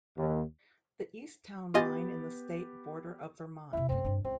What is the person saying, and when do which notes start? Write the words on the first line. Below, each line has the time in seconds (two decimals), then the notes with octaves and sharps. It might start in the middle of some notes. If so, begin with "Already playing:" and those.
The east town line in the state border of Vermont.
0.17 D#2
1.74 B3 F4 G4 D#5 G#5 A6
3.73 F2 C3 E4
3.89 F#2 A3 C4
4.05 G2 D4
4.25 C#2 C4